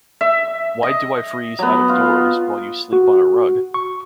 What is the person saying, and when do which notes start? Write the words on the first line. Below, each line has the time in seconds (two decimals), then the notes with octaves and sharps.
Why do I freeze out of doors while you sleep on a rug?
0.21 E5
0.83 D#5
1.59 F#3 B3
1.89 F4
2.93 F#4
3.74 C#6